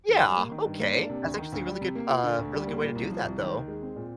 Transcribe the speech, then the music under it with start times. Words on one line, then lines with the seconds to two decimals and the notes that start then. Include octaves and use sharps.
Yeah, Okay, that's actually a really good uh, really good way to do that though.
0.09 D#2
0.24 G3
0.37 A#3
0.52 D#3
0.65 G2
0.80 A#3
0.95 D4
1.09 C3
1.23 D2
1.37 D#3
1.52 D2
1.67 G3
1.81 C3
1.95 A#3
2.09 F4
2.23 D3
2.38 D2
2.53 G3
2.67 A#3
2.82 A#2
2.95 C2
3.10 F3
3.25 C2
3.39 D#3
3.54 D#2
3.68 G#3
3.82 C4
3.96 A#2